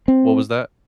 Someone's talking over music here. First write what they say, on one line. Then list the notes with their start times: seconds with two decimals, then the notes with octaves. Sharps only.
What was that?
0.08 C4